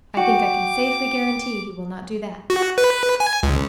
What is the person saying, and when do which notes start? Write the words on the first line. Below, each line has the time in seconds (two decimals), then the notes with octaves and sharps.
"I think I can safely guarantee he will not do that."
0.17 F#4 G5 D6
2.50 F#4
2.78 B4
3.20 G#5
3.43 C#2